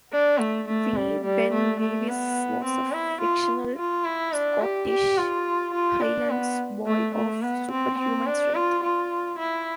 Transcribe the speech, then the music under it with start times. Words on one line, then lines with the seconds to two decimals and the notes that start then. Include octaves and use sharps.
Wee Ben Nevis was a fictional Scottish Highlands boy of superhuman strength.
0.12 D4
0.40 A3
0.68 A3
0.96 G3
1.24 G3
1.52 A3
1.80 A3
2.09 B3
2.65 C4
2.93 E4
3.21 F4
3.78 F4
4.05 E4
4.33 D4
4.62 G4
4.89 G4
5.17 F4
5.74 F4
6.02 D4
6.30 B3
6.87 A3
7.15 A3
7.42 B3
7.71 C4
7.99 C4
8.27 D4
8.55 F4
8.84 F4
9.39 E4